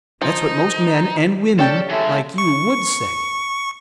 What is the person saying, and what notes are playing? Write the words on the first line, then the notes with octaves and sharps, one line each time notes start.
That's what most men--and women--like you WOULD say.
F3 D#4
C#4 G4 A4 D5 A5
E3 G#3 A4 E5
C#6